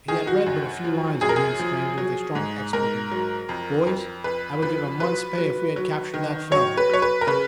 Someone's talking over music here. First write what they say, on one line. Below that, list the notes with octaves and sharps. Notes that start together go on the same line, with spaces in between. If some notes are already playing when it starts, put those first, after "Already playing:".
He had read but a few lines when he exclaimed, with a strong expletive, "Boys, I would give a month's pay if we had captured that fellow!"
D#3 G#4
F#4
F#2
F3
F#2 G#4
A#4
G#4
F3
F#3
G#2
G#2 A#4
F#3
F2
F2
F2 B4
F3 B4
F#3 B4
F#3
F#3
D#3
F#3 C#5
B4
F#3 C#5
B4
A#4
C#3 B4